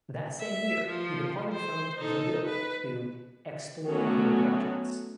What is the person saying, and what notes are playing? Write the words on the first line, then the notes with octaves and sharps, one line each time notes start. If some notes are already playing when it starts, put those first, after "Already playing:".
That same year, he departed from "The Bill" to "explore other projects".
E5
F3
C5
D#4 A4
B4
F#3 A3 B3 C#4 F#4